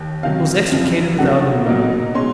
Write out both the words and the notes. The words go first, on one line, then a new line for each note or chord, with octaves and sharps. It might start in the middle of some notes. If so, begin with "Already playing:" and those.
He was extricated without a murmur.
Already playing: D#2
C3 D#3 F#3 F5
F#2 C#3 F3
C#3 F#3 A3 D4 F#5
B2 F#3 A#3 D#4
B2 G#3 C#4 C6